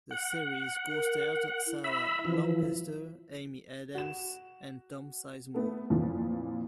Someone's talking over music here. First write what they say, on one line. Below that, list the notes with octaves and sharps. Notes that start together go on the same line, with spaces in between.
The series co-starred Sarah Lancaster, Amy Adams, and Tom Sizemore.
F#5
A#4
E4
E5 B5
E3 F3
F#4 E7
A3 B3 A4
F2 A#2 E3 F3